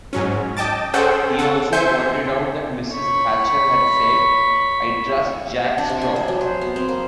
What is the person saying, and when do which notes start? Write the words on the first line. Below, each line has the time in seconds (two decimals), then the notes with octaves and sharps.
He also pointed out that Mrs Thatcher had said, I trust Jack Straw.
0.13 G#2 F#3 C#4
0.57 D#5 G5 A5 D6 A6
0.94 C#4 G#4 A4 C5 F#5 G5
1.39 A4 F#5
1.73 C5 E5 G#5 G6 C#7
2.93 C#5 B5
5.78 D4
5.90 C3
6.01 G#5
6.16 D#5
6.28 F#3
6.41 C5
6.61 B3
6.76 C4
6.89 A#3